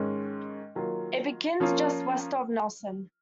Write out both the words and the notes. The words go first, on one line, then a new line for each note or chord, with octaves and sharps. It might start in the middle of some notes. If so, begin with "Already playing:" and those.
It begins just west of Nelson.
Already playing: G#2 D#3 G#3 C#4
D#3 F#3 A#3 F4
F3 A#3 C#4 F4 A#4